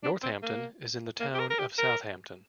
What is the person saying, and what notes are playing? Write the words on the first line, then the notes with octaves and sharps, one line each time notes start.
Northampton is in the Town of Southampton.
D4
C4
A#3
A#3
G4
A#4
A#4
G4
A#4